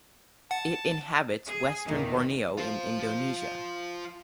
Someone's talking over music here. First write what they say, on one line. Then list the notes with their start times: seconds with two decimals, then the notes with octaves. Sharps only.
It inhabits western Borneo in Indonesia.
0.51 F#5 A5
1.46 G#4
1.85 E2 A#2 D#3
2.58 F4 C5